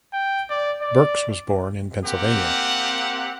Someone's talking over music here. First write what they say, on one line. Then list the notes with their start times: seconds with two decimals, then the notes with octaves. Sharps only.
Birx was born in Pennsylvania.
0.13 G5
0.50 D5
0.82 D5
2.05 A#3 C4 G4 F#5